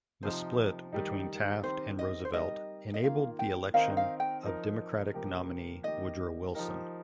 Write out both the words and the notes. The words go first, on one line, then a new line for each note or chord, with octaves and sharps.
The split between Taft and Roosevelt enabled the election of Democratic nominee Woodrow Wilson.
C3 F3 D#4 C5
D#3 G3 D#4
D#3 C4 G4 A#4 C5
D#5
C5
G3 D#4 A#4 D#5
D#5
D#3 A#3 F4 F5
G5
D#3 C4 D#4 A#4 F5
F5
G5
F3 D#4 A#4
C3 F3 A#3 G4 A#4
D#3 A#3 G4 D#5
F3 D#4 G4 A#4